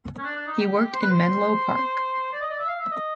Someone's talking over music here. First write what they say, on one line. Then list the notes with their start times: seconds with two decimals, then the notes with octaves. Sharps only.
He worked in Menlo Park.
0.18 C#4
0.24 D4
0.36 D4
0.47 D#4
0.58 G4
0.93 C5
1.01 B4
1.10 C5
2.33 D5
2.41 D#5
2.50 D5
2.59 E5
2.67 F5
2.79 E5
2.91 D#5